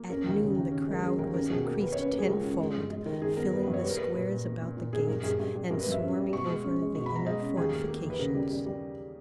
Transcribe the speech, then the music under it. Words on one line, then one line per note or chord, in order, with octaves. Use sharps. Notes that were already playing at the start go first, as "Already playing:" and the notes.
At noon the crowd was increased ten-fold, filling the squares about the gates, and swarming over the inner fortifications.
Already playing: A#3
C#4 A#4
D#2
C#3
D#2
C#4
G#3 A#4
C#4 G#4
D#2 A#4
C#4 A#4
B2 G#4
A#3 A#4
A#3 B4
C#4 C#5
B4
A#3
G#4
C#2 A#4
C#4
G#3
G2
G#3 G#4
D#3 A#4
D#3 G#4
B3 A#4
B3 B4
B4
G2
C#5
G3 B4
A#4
A#3 B4
A#2 B4
A#2
A#3
A#2
A#2
A#2 G#4
G2 A#4
G2 G#4
G2
G3
G2 A#4
B4
G2
E5
C#4
G3
B2 C#6
G#3
C#4
G#3
B2 C#6
B5
B2
A#5
G#3 D#5
C#4
D#2 G#4
A#3
A#3
D#2
B4
C#3 A#4
G3
G3
G3